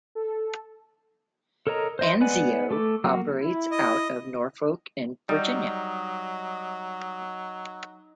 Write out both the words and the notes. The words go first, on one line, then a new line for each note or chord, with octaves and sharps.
"Anzio" operates out of Norfolk in Virginia.
A4
A4 A#4 C#5 D#5 A#5
C5 D#5 C6
G#3 B3 B4 D5 G#5
A3 A4 D6
F#3 A#3 F#4
E4
D#5
F#3 G3 D#4